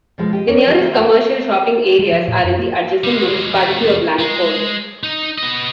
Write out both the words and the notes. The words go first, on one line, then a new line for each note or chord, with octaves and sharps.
The nearest commercial shopping areas are in the adjacent municipality of Langford.
B2 F3 G#3
G4 D#5
C#4 A#4 C#5 D5
D#3 F#3 G3 D4 G4 G#4
A#3 C4 E5
D3 G5
G3
F3
A2
F#2
A#3
G3 G#3
F2 A3
G#3
D#4
B3 D#5